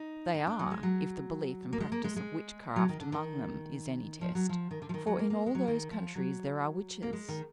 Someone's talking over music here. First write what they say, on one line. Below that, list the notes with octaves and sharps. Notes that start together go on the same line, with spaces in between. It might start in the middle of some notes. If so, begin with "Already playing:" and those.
They are, if the belief and practice of witchcraft among them is any test; for in all those countries there are witches.
Already playing: D#4
D#4
D4
F#3
G#3
F#3
A#3
G#3
A#3
G#3
G#3
F#3
D#3
D3
D#3
F3
F#3
F3
D#3
D3
F3
D#3
F#3
A#3
A#3
G#3
F#3
D#3
F3
F#3
A#3
G#3
D#3